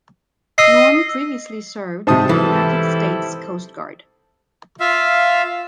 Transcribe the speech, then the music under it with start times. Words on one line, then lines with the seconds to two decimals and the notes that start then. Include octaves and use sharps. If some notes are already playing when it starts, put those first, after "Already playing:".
Norm previously served in the United States Coast Guard.
0.58 D#5 E6 C7
2.07 G#2 C3 C5 A5 D#6
2.29 E3 G3 E4 A4
4.80 F4 E5 F5